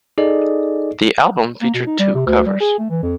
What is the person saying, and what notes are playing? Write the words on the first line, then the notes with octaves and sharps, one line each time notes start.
The album featured two covers.
D#4 G#4 A4 D5 D#5
A#3
B2
D#4
G3
C3
D2
G3
G#4
A3
E3
F2